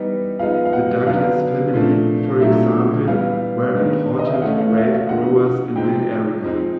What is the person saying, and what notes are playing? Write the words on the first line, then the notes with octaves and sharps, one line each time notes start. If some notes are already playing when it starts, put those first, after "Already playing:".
The Douglas family, for example, were important grape growers in the area.
Already playing: E3 G3 B3 D#4
F3 G#3 B3 D#4 F5
F5
F#5
D3 F#3 B3 D4 F5
A#2 F3 A3 D4
A#2 F#3 A3 D4 E5
E3 G3 B3 F5
D#3 G#3 B3 D4
D#5
E5
F5
E3 A3 C#4 F#5
F5
E5
F5
D3 F3 G#3 F#5
C3 F3 G#3 C4 D#4 G5
F3 G#3 C4 D#4